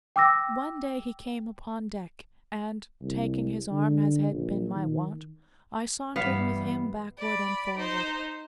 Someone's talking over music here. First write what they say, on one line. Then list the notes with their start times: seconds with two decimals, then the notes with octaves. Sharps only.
One day he came upon deck, and, taking his arm as had been my wont, I sauntered with him backward and forward.
0.16 G5 D6 E6 A#6
3.01 C2
3.72 D3
4.31 A#1
4.75 D#3
6.16 G2 E3 G3 B3 F5
7.18 D5 B5
7.77 D#4 C5